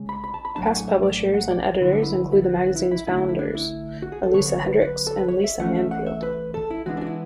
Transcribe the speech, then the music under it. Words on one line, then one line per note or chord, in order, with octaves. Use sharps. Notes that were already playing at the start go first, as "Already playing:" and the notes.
Past publishers and editors include the magazine's founder, Elisa Hendricks, and Lisa Manfield.
Already playing: C#3 G#3
B5
B5
A5
B5
A2 F#3 A3 D4 A5
F#5
G#5
E5
D5
F#5
D5
C#5
D3 F#3 B3 E4
D4
E4
E4
F#4
F#4
E4
E4
D3 A3 D4 E4
E4
E4
D4
E4
F#4
G#4
A4
D3 F#3 B3 C#5
C#5
B4
B4
A4
B4
C#5
E5
E3 A3 C#4 F#5
E5
F#5
E5
B4
A4
E4
E3 G#3 B3 D4 F#4
D4 F#4
E4